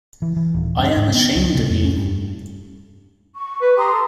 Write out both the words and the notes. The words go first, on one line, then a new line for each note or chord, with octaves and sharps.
I am ashamed of you!
E3
E3
D#1
G2
G#2
B3
C#2
C3
F2
C#4
G2
C#6
B4
G4 A#5 C6 D#6
A4